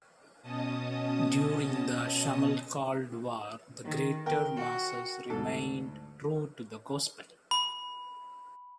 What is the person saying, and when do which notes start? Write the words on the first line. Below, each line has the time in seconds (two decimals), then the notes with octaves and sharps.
During the Schmalkald War the greater masses remained true to the Gospel.
0.42 B2 C#4 D#5 A5 D#6
3.83 D#3
4.26 A#4 G5
4.56 F#4
5.30 D2 G#2 A4
7.51 B5